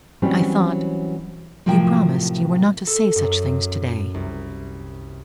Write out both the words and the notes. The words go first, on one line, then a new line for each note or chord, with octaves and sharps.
"I thought--you promised--you were not to say such things today."
E3 F#3 G3 C4 C#4
A2 C3 F3 F#3 A#4 G5
A4
F#2
C2